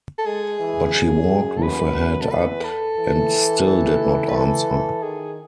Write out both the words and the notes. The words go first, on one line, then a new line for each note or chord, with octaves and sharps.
But she walked with her head up, and still did not answer.
A4
G#3 G#4
E3
F#2
F#2
A4
B4
A4
E2 B4
A4
E3
B4
A4
D#3 G#4